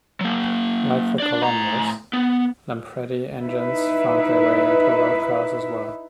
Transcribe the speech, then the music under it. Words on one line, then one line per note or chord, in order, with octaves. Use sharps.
Like the Colombos, Lampredi engines found their way into road cars as well.
F#3 A#3
D4 D5
A2 A#5
B3
D#4 E4 B4 E5